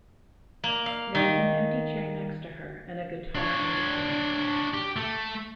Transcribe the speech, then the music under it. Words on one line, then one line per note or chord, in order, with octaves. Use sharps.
There is an empty chair next to her and a guitar in between.
A#3
F5
D#3
D4 C#5
G4
A3